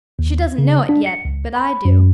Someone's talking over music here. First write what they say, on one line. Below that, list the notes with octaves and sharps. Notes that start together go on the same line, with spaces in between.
She doesn't know it yet; but I do.
D#2
C#3
D4
C#7
C#2
B5
F#2